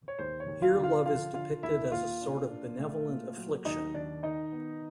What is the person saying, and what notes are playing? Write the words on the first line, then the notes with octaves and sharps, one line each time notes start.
Here love is depicted as a sort of benevolent affliction.
C#5
D#2 C5
C#5
D#2
F4 F5
D3
F4 F5
F3 F4 F5
D3 F4 F5
D#2 E4 E5
A#2 F4 F5
D4
D4
A3
A#2
F#3
D#2 D#4 D#5
D#3 D4 D5
D#3 D#4 D#5
B3